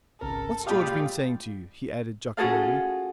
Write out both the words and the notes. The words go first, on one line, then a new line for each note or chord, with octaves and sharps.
What's George been saying to you?' he added jocularly.
G#1 C#2 A4 A#4
A#2 G#3 F4 G4 D5 F5 B5 D#6
C#4 F4 F#4 G#4 A4 F5